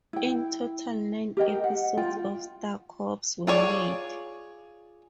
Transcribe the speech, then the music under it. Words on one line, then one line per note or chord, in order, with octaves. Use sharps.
In total nine episodes of "Star Cops" were made.
E4 G5
G4 A#4 D#5 G5
F#5
F4 G5
F4 G#4 C#5 D5